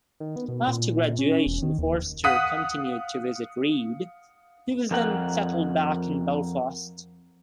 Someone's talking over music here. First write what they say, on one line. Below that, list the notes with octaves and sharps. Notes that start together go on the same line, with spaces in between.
After graduation Forster continued to visit Reid, who was then settled back in Belfast.
D#3
B3
B2
A#2
C#4
E1
D#3
D#2
F5 F#5 D#6 F#6 B6 D#7
F2 A#4 F#5